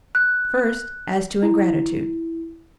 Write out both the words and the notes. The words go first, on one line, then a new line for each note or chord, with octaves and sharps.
First, as to ingratitude.
F#6
E4